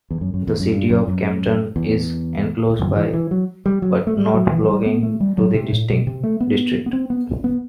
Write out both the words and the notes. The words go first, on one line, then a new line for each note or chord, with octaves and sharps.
The city of Kempten is enclosed by, but not belonging to the district.
E2
F#2
F#2
E2
F#2
G2
F#2
F#2
E2
F#2
E3
E3
F#3
G3
F#3
A3
G3
F#3
E3
F#3
G3
B3
A3
G3
F#3
C3
A2
B2
C3
A3
B3
B3
C4
B3
B3